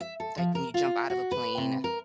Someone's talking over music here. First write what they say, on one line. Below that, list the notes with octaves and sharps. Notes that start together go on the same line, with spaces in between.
like, when you jump out of a plane
E5
A4
F3
A#4
F4
F#4
B4
C3
A#4